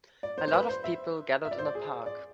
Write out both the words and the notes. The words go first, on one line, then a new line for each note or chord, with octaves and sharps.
A lot of people gathered in a park.
D5
C5
C5
B4
C5
E5
E5
D5
C5
D5
G#4
D5